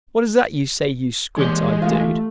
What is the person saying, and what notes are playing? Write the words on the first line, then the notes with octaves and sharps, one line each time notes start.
What is that you say, you squint-eyed dude?
D#2 E3 G#3 D4 G4 C6
A3 F4 E5 F5